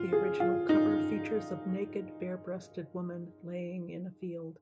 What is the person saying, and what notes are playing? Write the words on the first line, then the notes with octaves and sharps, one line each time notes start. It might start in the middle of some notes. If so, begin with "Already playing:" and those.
The original cover features a naked, bare-breasted woman laying in a field.
Already playing: F4
G#4
F4
D#4